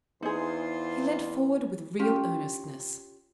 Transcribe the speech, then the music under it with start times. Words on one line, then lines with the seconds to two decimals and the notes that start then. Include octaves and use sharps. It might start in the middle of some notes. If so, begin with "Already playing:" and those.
He leant forward, with real earnestness.
0.23 E2 D#4 F4 G#4 C5
1.99 C#4 F4 G4 G5